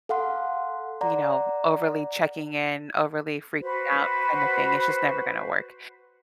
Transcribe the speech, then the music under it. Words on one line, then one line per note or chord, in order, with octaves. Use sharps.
you know, overly checking in, overly freaking out kind of thing, it's just never gonna work.
A4 F5 F#5 C6
D5 F#5 A#5
F#4 B4 C5